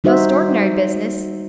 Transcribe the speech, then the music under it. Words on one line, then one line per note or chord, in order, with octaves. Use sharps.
Most ordinary business.
G3 D#4 F#4 C5 E5